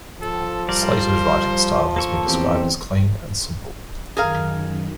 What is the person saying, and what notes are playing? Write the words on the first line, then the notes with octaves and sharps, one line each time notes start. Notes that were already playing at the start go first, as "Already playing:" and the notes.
Sleator's writing style has been described as clean and simple.
F3 A4
G3 A#4 C5 D5
A#3 A4 C#6
E2 C4 G4
F#2 D#3 G#4 A#4 F5